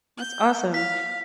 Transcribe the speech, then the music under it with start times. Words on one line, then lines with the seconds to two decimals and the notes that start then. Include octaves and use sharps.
That's awesome.
0.18 G6
0.74 F5 B6